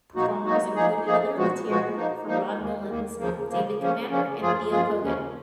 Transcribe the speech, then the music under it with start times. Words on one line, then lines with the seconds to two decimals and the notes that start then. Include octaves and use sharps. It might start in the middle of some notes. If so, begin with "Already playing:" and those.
Performers include Heather Litteer, Farrad Mullins, David Commander and Theo Kogan.
0.15 B2 F#3 A#3 D#4 F#4
0.45 B2 F#3 A#3 D#4 F#4
0.76 F3 A#3 D#4 G#4
1.06 F3 A#3 D#4 G#4
1.36 A#2 F3 G#3 B3 F#4
1.67 A#2 F3 G#3 B3 F#4
1.97 F3 A#3 D#4
2.27 F3 A#3 D#4
2.57 D#2 D#3 A#3
2.88 D#2 D#3 A#3
3.19 D#2 C#3 F3 A#3
3.49 D#2 C#3 F3 A#3
3.79 C#3 F3 A#3 C#4
4.10 C#3 F3 A#3 C#4
4.40 F#2 F3 A#3 F4 G#4
4.71 F#2 F3 A#3 F4 G#4
5.01 D#2 C#3 F3 A#3 C#4